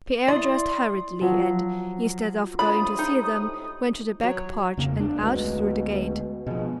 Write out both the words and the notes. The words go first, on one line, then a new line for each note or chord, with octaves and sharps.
Pierre dressed hurriedly and, instead of going to see them, went to the back porch and out through the gate.
E4 D5 C6 D#6
F3 F#3
A2 C3 G#3 D4 F4 B5 D#6
D#4
F#3 C#5
E2 C#3 A#3
F#1 D4
D2 B2 G#3
B2 F3 G#3